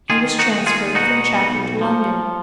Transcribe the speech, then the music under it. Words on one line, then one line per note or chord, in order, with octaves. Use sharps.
He was transferred from Chatham to London.
D#3 F4 G#4
D#4 F#4
D#2
F4 G#4
B2 D#4 F#4
B1
F3